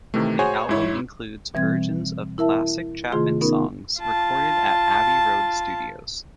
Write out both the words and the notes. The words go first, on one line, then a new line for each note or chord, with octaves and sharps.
The album includes versions of classic Chapman songs recorded at Abbey Road Studios.
C3 D#3 E3 A3
F#4 G#4 C5 C#5 G#5
G#2 E4 C#5
B2 E3 G3 C4 G#6
E4 A#4 E5 A5
C3 D#3 A3 F4 G#4 C6
B3 C#4 D#4 A#4
F4 A5